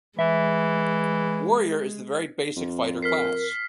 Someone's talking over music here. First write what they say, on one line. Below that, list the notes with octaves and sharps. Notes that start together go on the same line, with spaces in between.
Warrior is the very basic fighter class.
E3 G#3 E5
F2
A#4 F6 B6 C7